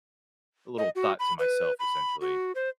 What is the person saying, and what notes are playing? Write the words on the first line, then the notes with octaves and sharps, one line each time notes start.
a little thought to myself, essentially.
D#5
F#4
B5
B4
B5
F#4
C5